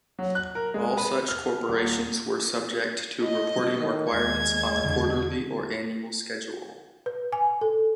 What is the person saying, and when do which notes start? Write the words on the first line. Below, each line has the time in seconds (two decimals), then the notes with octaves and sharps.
All such corporations were subject to reporting requirements on a quarterly or annual schedule.
0.19 F#3
0.35 F#6
0.55 A#4
0.74 G#3
0.97 B4
1.28 F6
1.68 D#1
3.24 D#5
3.79 D#3
4.09 D#2 G#3 G#6
4.79 E2 D3
7.06 B4
7.32 G#5
7.61 A4